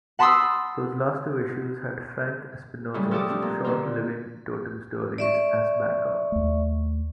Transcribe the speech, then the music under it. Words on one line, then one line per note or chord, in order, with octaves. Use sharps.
Those last two issues had Frank Espinosa's short Living Totem stories as back up.
F#5 A5 B5 C6 D#6 E6
A2 C#3 F#3 G3
F3 F#4 G4 A4 D6 D#6
C4 D4
A#2
D3 D#3 A#3 D4 F4
D5 E5 C#6
D#2 A3